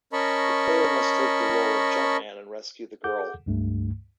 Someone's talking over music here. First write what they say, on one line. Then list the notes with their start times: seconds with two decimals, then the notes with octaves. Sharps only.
The player must take the role of Jumpman and rescue the girl.
0.13 C#4 A#4 D#5 A5 B5 C#6
3.04 G#4 A4 F#5 D6 G6
3.46 C#2 G2 A3